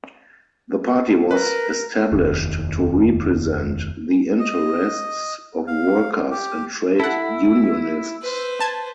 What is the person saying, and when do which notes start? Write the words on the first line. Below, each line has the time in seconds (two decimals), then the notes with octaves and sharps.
The party was established to represent the interests of workers and trade unionists.
1.31 A#4 B4
2.12 F1 D#2
4.40 D#5
5.67 F5
6.31 G4
7.00 E4 A4 F#5 E6
8.22 B4 C5
8.60 A5 G#6